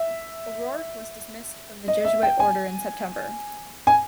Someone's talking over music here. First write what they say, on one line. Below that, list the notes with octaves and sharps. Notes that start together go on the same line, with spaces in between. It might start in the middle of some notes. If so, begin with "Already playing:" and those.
O'Rourke was dismissed from the Jesuit Order in September.
Already playing: E5
D#5
E5
G5
G#5
G#5